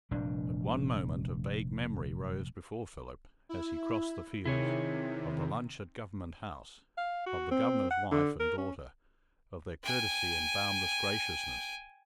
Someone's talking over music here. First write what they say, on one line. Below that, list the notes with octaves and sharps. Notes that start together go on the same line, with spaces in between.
At one moment a vague memory rose before Philip, as he crossed the fields, of the lunch at Government House, of the Governor's wife and daughter, of their courtesy and boundless graciousness.
F1 A#2 G3 D4
E4
C3 D#3 E4 G#4 C#5
F5
F#4
C4
F#5
D3
A#4
C#4
G5 G#5